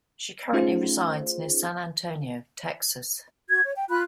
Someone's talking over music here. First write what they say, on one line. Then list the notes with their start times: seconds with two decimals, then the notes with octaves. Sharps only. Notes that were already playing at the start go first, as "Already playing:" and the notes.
She currently resides near San Antonio, Texas.
0.53 A3 C#4 D#4 F4 G#4 C5
3.49 F#4 G#6
3.63 C#5
3.76 G5
3.89 F4 B5 F#6